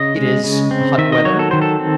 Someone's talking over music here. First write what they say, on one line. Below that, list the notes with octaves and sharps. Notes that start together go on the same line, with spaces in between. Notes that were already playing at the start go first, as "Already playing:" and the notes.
It is hot weather.
Already playing: C#3 D#5
G#3
C#3
C4
D#3 E5
D#5
F#3 C#5
A4
D#3 C5
A4
C4